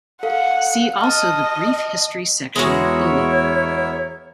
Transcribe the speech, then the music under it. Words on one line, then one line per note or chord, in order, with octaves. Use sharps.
See also the brief history section below.
A4 F5 F#5
D#5 A5 F6
E2 G#3 B3 F#4 A#4 C#5 E5